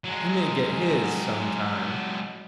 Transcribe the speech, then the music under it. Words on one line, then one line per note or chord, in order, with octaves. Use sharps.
"He may get his some time."
F#3 G#3